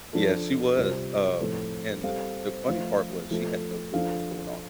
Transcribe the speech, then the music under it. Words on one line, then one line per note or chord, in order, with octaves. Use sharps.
Yeah, she was, um and the funny part was she had no clue what was going on.
F3 D4 F4 A4
C3 G3 F4 C5
A2 F3 C4 A4
G3 C4 A4 F5
F3 A3 F4 C5 F5
F3 A3 F4 A4
F3 D4 F4 A4 F5